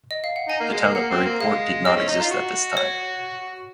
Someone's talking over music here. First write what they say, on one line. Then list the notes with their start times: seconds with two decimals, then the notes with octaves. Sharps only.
The town of Burry Port did not exist at this time.
0.11 D#5
0.24 F5
0.36 F#5
0.49 D#4 G#5
0.60 A#3
0.72 G#3
0.83 A#3
0.95 A#3 F#5
1.11 C4
1.25 A#3
1.40 G#3 F5
1.85 C4 D#5
1.97 C#4
2.08 D#4
2.20 F4
2.31 F#4
2.77 C#5